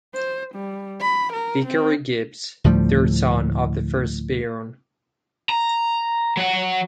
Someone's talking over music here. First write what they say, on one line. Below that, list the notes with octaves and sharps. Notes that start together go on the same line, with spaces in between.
Vicary Gibbs, third son of the first Baron.
C5
G3
B5
A#4
C4
D2 A2 F3 G3
A#5
F#3 F#5